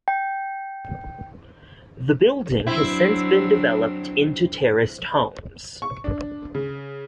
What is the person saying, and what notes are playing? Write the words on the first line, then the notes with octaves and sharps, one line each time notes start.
The building has since been developed into terraced homes.
G5
F#3 C4 D4 E4
C#6
D4
C#3